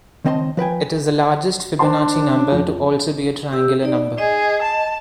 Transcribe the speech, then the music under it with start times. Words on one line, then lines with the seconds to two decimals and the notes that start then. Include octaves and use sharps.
It is the largest Fibonacci number to also be a triangular number.
0.24 C#2 D#3 C4 D#5 A5 C6
0.57 F3 B4 G5 G#5
1.79 D4 C5 A5 C6
2.36 C#4
2.52 F2
3.53 G4 E6
3.83 D#4 D5
4.18 G#4 D#5
4.62 A5